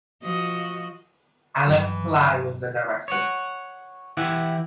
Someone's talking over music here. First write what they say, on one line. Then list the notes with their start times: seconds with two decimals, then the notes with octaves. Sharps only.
Alex Pillai was the director.
0.23 F3 F#4 D#5
1.66 G2 D#3 F#3
1.80 E3
3.08 C#5 F#5
4.17 E3 E4 G4 F#5